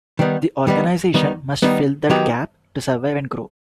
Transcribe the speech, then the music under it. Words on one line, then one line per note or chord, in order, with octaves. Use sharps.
The organization must fill that gap to survive and grow.
D#3 G3 B3 D#4
D#3 G3 B3 D#4
D#3 G3 B3 D#4
D#3 G3 B3 D#4
D#3 F#3 B3 D#4 G4